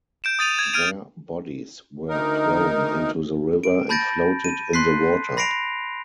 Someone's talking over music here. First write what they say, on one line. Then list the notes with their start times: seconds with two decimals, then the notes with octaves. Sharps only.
Their bodies were thrown into the river and floated in the water.
0.24 G6 D7 E7
0.39 D#6 A6 D#7 F7
0.59 G#6 E7
0.73 F6 G#6 D7 D#7 F7
2.09 D2 D#4 A#4
3.64 D7
3.89 A5 B5 G6 A6 A#6 D7
4.44 D#7
4.73 C6 F#6 B6 C7
5.37 B5 A#6 C7 D7 F7